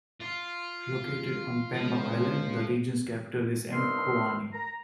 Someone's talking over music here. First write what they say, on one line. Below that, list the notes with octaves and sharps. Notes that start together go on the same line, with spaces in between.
Located on Pemba Island, the region's capital is Mkoani.
F4
C#2 F3
C2 G2 D#4 C6 E6 F6
A#5